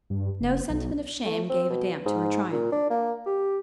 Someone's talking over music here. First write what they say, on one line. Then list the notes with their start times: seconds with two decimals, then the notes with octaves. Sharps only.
No sentiment of shame gave a damp to her triumph.
0.10 G2
0.41 F#1
0.70 B1
1.25 A3
1.50 C4
1.70 B2
2.06 G#2
2.52 A#2
2.72 D4
2.91 A#3
3.26 G4